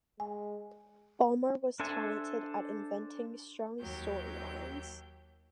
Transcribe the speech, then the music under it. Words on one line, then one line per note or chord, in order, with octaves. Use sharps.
Balmer was talented at inventing strong story lines.
G#3 G#5
D4 A4 C5 E5 G#5
D#2 F#3 G4 G6